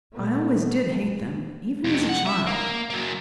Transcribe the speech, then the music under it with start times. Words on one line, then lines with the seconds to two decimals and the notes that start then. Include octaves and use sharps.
I always did hate them, even as a child.
0.12 A#2 A3 B3
1.84 F2 C3
2.09 F#5
2.26 E5
2.46 A#3
2.90 F#3 A#3